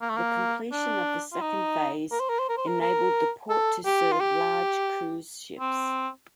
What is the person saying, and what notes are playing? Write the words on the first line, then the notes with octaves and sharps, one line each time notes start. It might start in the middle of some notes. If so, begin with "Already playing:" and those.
The completion of the Second Phase, enabled the port to serve large cruise ships.
A#3
A3
A#3
D4
F4
D#4
A#4
C5
A#4
C5
A#4
C5
A#4
A#4
A4
G4
F4
G4
C4